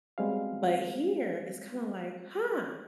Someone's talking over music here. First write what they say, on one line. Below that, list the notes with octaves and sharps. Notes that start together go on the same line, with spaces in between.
but here it's kinda, like, "Huh,
G3 G#3 B3 C4 F#4 F5